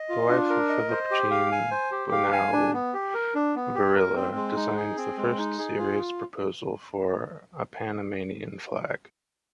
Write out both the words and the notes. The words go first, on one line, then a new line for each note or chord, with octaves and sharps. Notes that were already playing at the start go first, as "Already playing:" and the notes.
The wife of Philippe-Jean Bunau-Varilla designed the first serious proposal for a Panamanian flag.
Already playing: D#5
F4
D4
A#4
D#5
C5
G4
F5
G#5
C5
G4
F5
G#5
D4
B3
G4
A#4
D4
B3
G4
A#4
C4
G#3
D#4
G#4
C4
G#3
D#4
G#4
F4